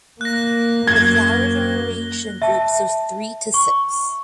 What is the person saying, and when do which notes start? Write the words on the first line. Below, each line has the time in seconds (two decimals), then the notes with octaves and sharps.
The flowers are arranged in groups of three to six.
0.21 A#3 F#6 A#6
0.87 F#2 F#3 A#3 G#6 G7
2.42 E5 A5
3.54 C#6